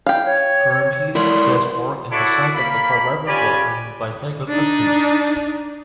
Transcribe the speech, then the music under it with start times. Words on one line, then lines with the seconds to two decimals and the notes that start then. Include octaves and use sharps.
Currently Jastrowie is the site of several wood and bicycle factories.
0.06 E4 F5 G5
0.24 C#5
1.15 E4 A#4 D5 C6
2.11 E4 F#4 A4 C#5 D5
2.54 A#3 B5
3.27 C#4 F4 G4 D5 G#5 B5
4.48 D4 D#4